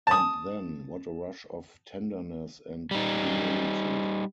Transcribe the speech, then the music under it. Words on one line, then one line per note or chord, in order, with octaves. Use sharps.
And then, what a rush of tenderness and humility!
A5 D#6
G3 D#4